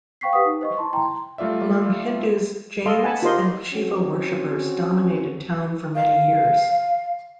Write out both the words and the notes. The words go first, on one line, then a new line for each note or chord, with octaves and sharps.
Among Hindus, Jains and Shiva worshipers dominated town for many years.
C5 F5 G5 C#6 B6 C7
G4 B4 F#5 D#6
D#4
C5 D#5 C#6
E4 A5 C6
G5 A#5 C6
G3 A3 F4 D5 E5
A4 D#5 F5 C6
F#5 G#5 A5 B5
F4 G4 A#4 C5 D#5 C6
C4 C#4 F#4
F5